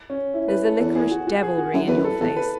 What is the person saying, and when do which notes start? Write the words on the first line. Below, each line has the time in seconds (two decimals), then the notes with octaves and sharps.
There's a liquorish devilry in your face.
0.10 C#4
0.34 E4
0.48 B4
0.65 A4
0.80 E2 A4
0.95 G#4
1.11 F#4
1.27 F#4
1.43 G#4
1.58 F#4
1.73 F#2 E4
1.87 E2 B4
1.97 F#2
2.04 A4
2.20 E2 A4
2.37 B4